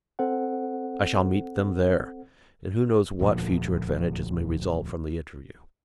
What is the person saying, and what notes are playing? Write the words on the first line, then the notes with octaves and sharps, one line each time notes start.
I shall meet them there, and who knows what future advantages may result from the interview?
C4 A4 C5 F#5
E1 D2 A#2 F3